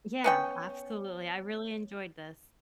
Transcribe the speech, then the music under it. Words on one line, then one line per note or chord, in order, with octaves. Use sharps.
Yeah. Absolutely. I really enjoyed this.
B3 C#4 G5